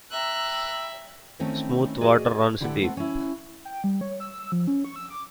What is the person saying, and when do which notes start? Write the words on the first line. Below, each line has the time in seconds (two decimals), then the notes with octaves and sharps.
Smooth water runs deep.
0.11 E5 G5 A#5 B5 E6 F#6
1.39 D#3 A3 C4 C#4 D#4 E4
2.01 F#4 G#4 D5 D#5
2.61 D3 E4 G4 A4 B4 F#5
2.82 A3 B3 C4 F#5
2.97 C#4 E4
3.65 G5
3.84 G3
4.01 C#5
4.20 E6
4.39 E6
4.52 F3
4.67 C#4
4.85 C#6
4.96 E6
5.10 D6